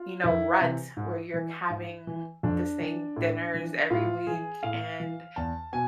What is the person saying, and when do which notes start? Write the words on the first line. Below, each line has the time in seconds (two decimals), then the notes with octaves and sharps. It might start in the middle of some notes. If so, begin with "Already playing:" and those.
you know, rut where you're having the same dinners every week and,
Already playing: F4
0.24 F2 E4
0.60 C3 E3
0.97 G#2
1.34 E3
1.70 G#2
2.07 E3
2.43 F2 D4
2.80 E3
3.16 A2
3.54 E3
3.90 A2 F4
4.27 E3 G#4
4.63 A2 F5
5.00 E3
5.36 E2 A5
5.73 B2 G#5